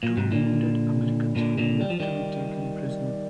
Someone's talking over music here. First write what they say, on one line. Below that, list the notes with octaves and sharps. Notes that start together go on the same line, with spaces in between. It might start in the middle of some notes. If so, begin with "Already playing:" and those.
Two wounded Americans were left to be taken prisoner.
A#2
G#2 C3
A#2 D3
A#2 D3
A#2 D3
G3
F3
D#3 G3